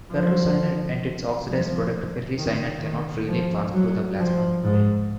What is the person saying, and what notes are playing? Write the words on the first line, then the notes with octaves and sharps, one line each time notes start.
Ferrocyanide and its oxidized product ferricyanide cannot freely pass through the plasma membrane.
F3
F3
D#3
D#3
F3
F#3
F3
G#2